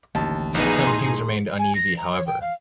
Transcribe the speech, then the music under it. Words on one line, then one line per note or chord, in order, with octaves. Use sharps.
Some teams remained uneasy, however.
A1 D#2 D3 D#3 A5
A#1 B3 D#4 G#4
A2 A3 C6
G#5
A#6
A#5
C#5
G5
F5